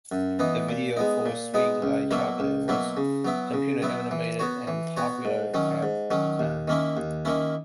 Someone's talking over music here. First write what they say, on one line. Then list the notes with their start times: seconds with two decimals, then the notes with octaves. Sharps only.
The video for "Sweet Like Chocolate" was computer-animated and popular at the time.
0.12 F#2
0.39 E3 B3 D#4
0.69 A#2
0.97 G#3 B3 D#4
1.26 A#2
1.54 G#3 B3 D#4
1.82 C#2
2.11 B2 F#3 A#3 E4
2.40 C#2
2.68 B2 F#3 A#3 E4
2.97 C#3
3.25 F#3 B3 E4
3.53 C#3
3.82 F#3 B3 E4
4.11 E3
4.39 B3 F#4 C#5
4.67 E3
4.97 B3 F#4 C#5
5.25 G#2
5.54 D#3 F#3 C#4
5.83 G#2
6.11 D#3 F#3 C#4
6.39 D#2
6.68 D#3 A#3 C#4 E4
6.97 D#2
7.25 D#3 A#3 C#4 E4